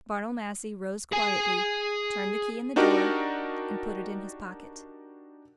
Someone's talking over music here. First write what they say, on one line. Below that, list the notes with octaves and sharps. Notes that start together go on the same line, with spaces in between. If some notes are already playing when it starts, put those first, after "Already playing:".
Bartle Massey rose quietly, turned the key in the door, and put it in his pocket.
G#4 G#5
D4 D#4 F#4 G4 A#4 D5